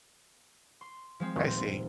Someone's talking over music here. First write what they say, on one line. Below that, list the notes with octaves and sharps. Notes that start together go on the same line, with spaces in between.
I see.
C6
F3 G#3 C4
D#1 F#2 A#2 D#3
C5